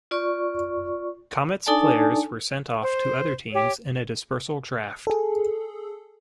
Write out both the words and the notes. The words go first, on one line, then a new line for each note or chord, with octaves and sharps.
Comets players were sent off to other teams in a dispersal draft.
F4 D5 C#6
D4 D#4 A4 D5 G#5 A5
C5
G4 C#5
G#4 A4